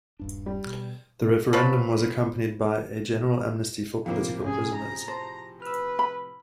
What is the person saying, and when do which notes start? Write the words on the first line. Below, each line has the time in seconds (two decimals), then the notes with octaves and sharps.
The referendum was accompanied by a general amnesty for political prisoners.
0.19 D#1 G2 D4
0.46 G3
0.66 B2
1.53 F3 F#3 B4
4.06 F2 A2 C3 A#3 F4 G4 A#4
4.45 G#2 C#4 G#4
4.74 A#5
5.08 C5 A5
5.62 B4 E6 F6
5.99 B5